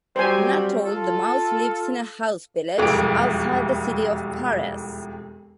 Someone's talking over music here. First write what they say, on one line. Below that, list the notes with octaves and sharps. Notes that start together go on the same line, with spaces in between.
Anatole the mouse lives in a mouse village outside the city of Paris.
F#3 G3 C4 C5 G#5
F4 A4
E1 C2 F2 D7